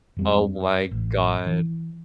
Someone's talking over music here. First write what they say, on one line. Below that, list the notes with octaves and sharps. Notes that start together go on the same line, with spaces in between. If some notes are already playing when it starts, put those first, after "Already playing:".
Oh my god.
F2 G3 C4
A1
E3